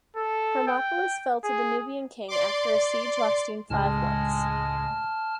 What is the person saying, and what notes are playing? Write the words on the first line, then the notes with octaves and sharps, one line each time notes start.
Hermopolis fell to the Nubian king after a siege lasting five months.
A4
G5
G#4
D5 C6 D6
C#2 A2 G#3 A5 F6